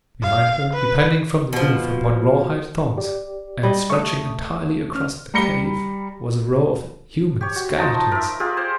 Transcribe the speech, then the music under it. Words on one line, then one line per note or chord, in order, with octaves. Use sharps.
Behind her, depending from the roof upon rawhide thongs, and stretching entirely across the cave, was a row of human skeletons.
F5
B4
B2 F3
G4 D5
G3 D#5
A3 C#6 D#6
C#4 F6
G3 A#5 B5 A#6 C#7 G7
G4 C#5
F#4
F3 D#4 A5 A#5
A#4 E5
F4 G4 G#4 D5
C5